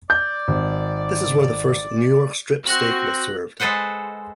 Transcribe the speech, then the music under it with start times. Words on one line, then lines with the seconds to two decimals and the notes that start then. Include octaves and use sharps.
This is where the first "New York Strip" steak was served.
0.10 D5 G6
0.48 G#1
2.67 C4 F#4 F#6 A#6 F#7
3.60 G#3 A4 B4 C5 F#5